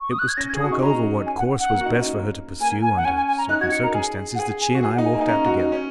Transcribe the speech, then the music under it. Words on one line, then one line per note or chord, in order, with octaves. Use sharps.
It was to talk over what course was best for her to pursue under certain circumstances that she and I walked out together.
C#6
D#6
F#6
G#6
C#4 A#6
G#6
G#4
D#6
F#4
D#4 C#6
C#4 A#5
G#5
F#5
F#5
A#3
F#4
D#4
C#4
D#4
A#3
A#3 G#5
G#5
F#5
C#4 G#5
G#5
G#5
A#5
D#4 F#6
F#4 G#6
F#4 C#7
A#4 A#5
G#4 G#5
F#5
G#4 G#5
G#5
F#4
G#4 G#5
F#5
D#4
G#5
A#3
G#5
D#4
C#4 A#5
F#4
D#4
C#4